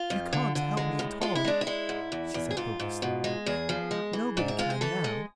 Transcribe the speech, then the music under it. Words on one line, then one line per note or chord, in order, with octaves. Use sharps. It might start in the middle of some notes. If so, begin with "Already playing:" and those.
"You can't help me at all," she said hopelessly, "nobody can now."
Already playing: F4
F2
D3
D3
G#3
A2
G#3 F4
E4
G#3 D4
E4
G#3
G#2
E2
E2
G#4
G#2 F4
G#2
B2
G#3
E2 G#4
F3
G#3
E3
G#2 D4
E4
G#3 F4
G#4
E3 A4
G#3